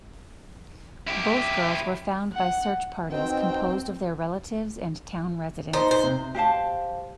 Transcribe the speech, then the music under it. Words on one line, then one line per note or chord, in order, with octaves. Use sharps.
Both girls were found by search parties composed of their relatives and town residents.
E4 G4
F#5
B2 C4 D#4 G5
D#4 C5
C5
C3
G4 C5 F5 A5